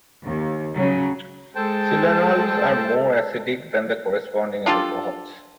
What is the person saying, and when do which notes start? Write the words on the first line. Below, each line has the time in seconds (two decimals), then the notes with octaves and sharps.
Silanols are more acidic than the corresponding alcohols.
0.25 D#2
0.75 C#3 F#3
1.55 G#3 A4 C5 G5 A5
4.66 D4 F4 G4 A4